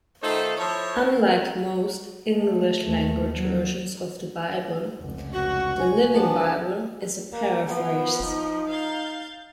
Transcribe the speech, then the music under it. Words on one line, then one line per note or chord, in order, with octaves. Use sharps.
Unlike most English language versions of the Bible, "The Living Bible" is a paraphrase.
D#3 A3 D#4 F4 A4 C5
F3 E4 A4 C#5
A3
D#2 A3
F#3
F1 C#2
F#4 C#6
G#5
E3 F3 B3 D4 A5
A#3
F3 B3
D#4
F5 G6 A6